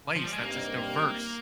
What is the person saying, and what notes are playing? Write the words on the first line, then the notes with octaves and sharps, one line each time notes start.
place that's just diverse
F3
G3
G#3
G2 D#3 G3 A#3 C4